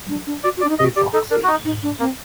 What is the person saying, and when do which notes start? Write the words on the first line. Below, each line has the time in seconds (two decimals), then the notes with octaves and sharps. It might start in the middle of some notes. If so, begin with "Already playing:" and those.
Hey Foxy!
0.09 D4
0.27 D4
0.44 F#4 D5
0.57 F#4
0.61 D5
0.64 D4
0.70 D#4
0.79 D#5
0.83 F#4
0.96 G4 D5
1.13 D#4 A4
1.31 D4 A#4
1.44 F#4
1.48 D#4
1.65 D#4
1.83 D4
2.00 A#3 C4